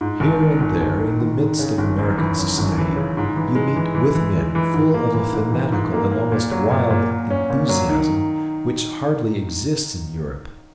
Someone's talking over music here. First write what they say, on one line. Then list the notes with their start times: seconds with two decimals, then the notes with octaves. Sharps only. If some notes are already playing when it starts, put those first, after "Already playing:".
Here and there, in the midst of American society, you meet with men, full of a fanatical and almost wild enthusiasm, which hardly exists in Europe.
0.01 G#2
0.20 G#1
0.40 D#3
0.60 G#1
0.80 G#1
0.99 D#3
1.20 G#1
1.39 D#3
1.59 C#3
1.78 G#1
1.98 F#2
2.18 E3
2.37 F#2
2.58 G#1
2.78 E3
2.96 C#3
3.17 G#2
3.36 E3
3.55 G#3
3.76 E3
3.95 E3
4.15 E3
4.35 G#3
4.55 E3
4.74 G#2
4.94 A#3
5.13 E3
5.33 G#2
5.52 E3
5.72 G#2
5.92 A#3
6.12 A#3
6.32 A#2
6.51 F#3
6.71 A#2
6.91 A#2
7.10 A#2
7.30 C#4
7.50 A#2
7.69 F#3
7.89 D#3